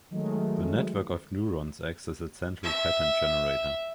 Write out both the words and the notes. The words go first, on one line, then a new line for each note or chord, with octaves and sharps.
The network of neurons acts as a central pattern generator.
D#3 F#3 G#3 A3
E5